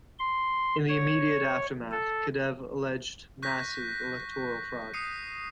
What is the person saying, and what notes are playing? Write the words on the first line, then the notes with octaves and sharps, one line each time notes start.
In the immediate aftermath, Kedev alleged massive electoral fraud.
C6
C#5
A4
C#6 F#6 G6 A#6 B6
D#6 C7 C#7 D#7